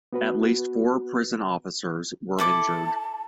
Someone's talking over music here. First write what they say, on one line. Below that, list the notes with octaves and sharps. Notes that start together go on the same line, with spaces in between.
At least four prison officers were injured.
B3 F#4 B4
E4 A4 A5 D6